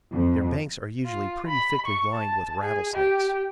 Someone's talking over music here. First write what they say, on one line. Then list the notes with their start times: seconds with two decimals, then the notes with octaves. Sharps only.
Their banks are usually pretty thickly lined with rattlesnakes.
0.13 F2
1.06 F4
1.48 B5
1.86 C#6
2.15 A5
2.62 G#4
2.94 G4